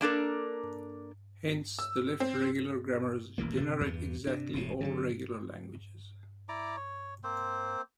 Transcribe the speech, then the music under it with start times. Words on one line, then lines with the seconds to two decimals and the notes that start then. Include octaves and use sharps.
Hence, the left regular grammars generate exactly all regular languages.
0.01 A#3 D4 A4 A#4
1.79 E6
2.20 C4
3.38 D#1 A1 E3 A#3
3.60 C3
3.81 E2 G2
4.27 C3 D4
4.54 E1 A2 C3
4.81 D3 E3 F#3
6.49 E4 D5 A#5 D6
6.76 C#5
7.24 A#3 C4 C5